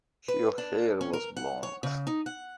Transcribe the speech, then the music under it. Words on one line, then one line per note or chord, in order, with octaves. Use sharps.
Her hair was blonde.
B4
D4
C#4
A#4
F#5
C#5
C#3
D#4
F#5